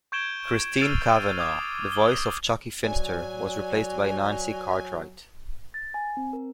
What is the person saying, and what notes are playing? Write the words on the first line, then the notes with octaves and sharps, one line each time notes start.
Christine Cavanaugh, the voice of Chuckie Finster, was replaced by Nancy Cartwright.
C#6 G6 G#6 D7 E7 G7
E6 F6 A6 C7 D#7 F7
D6 D#6 F6 G#6
F#7 G7
F#3 D5 G#5
A6
G#5
C4
A#4